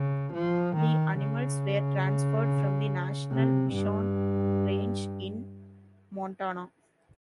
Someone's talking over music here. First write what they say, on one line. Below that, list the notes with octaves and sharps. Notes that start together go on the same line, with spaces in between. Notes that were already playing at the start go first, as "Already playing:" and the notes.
The animals were transferred from the National Bison Range in Montana.
Already playing: C#3
F3
D#3
C#3
C3
G2